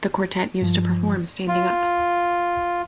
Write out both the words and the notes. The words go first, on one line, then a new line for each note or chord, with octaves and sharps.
The quartet used to perform standing up.
G2 F3
F4